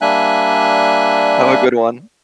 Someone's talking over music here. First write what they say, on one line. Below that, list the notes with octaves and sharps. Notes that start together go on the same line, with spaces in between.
Have a good one.
G3 A#3 D4 E5 G#5 F#6